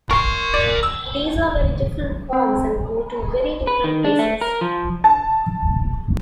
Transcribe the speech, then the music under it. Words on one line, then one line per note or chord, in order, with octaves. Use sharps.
These are very different forms and go to very different places.
A#4 C6 C#6
D5
E6
C4
B4
D#3
D4
A3
A#4
F3
A5